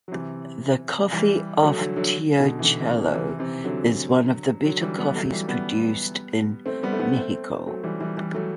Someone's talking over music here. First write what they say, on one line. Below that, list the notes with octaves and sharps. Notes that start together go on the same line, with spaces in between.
The coffee of Teocelo is one of the better coffees produced in Mexico.
F#3
C3 E3
E3 G3
F#3 A3
D3 F#3
D3 F#3
B2 D3
E3
B2 D3
C3 E3
B2 D3
C3 E3
C3 E3
D3 F#3
D3 F#3
E3 G3
G3 B3
F#3 A3
E3 G3
G3 B3
A3 C4
G3 B3
A3
G3 B3
A3 C4
F#3 A3
E3 G3
E3 G3
E3 G3
F#3 A3